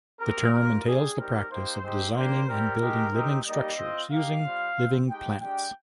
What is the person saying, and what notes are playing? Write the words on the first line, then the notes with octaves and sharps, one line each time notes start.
The term entails the practice of designing and building living structures using "living plants".
C4 G4 A#4
G3 A#3 F4 A#4
G3 D4 G4 G#4
G3 C4 D#4 G4 A#4
A#3 D#4 G4 C5
G#3 C4 D#4 G4
A#3 D4 G4 C5
G3 C4 G4 A#4
G#3 D#4 G4
C4 D#4 G4
G3 A#3 D#4 G4 D#5
C4 F4
A#3 D#4 G4 F5
G3 C4 F4
C4 F4
G#3 D#4 G4 G5
G#3 D4 G4 G5